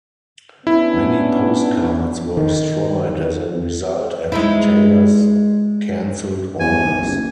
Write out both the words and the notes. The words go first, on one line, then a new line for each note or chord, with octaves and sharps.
Many postcards were destroyed as a result and retailers cancelled orders.
B3 C#4 D4 E4
D#3
G#3 D#4 E4
E2 G#5
D#2
F#1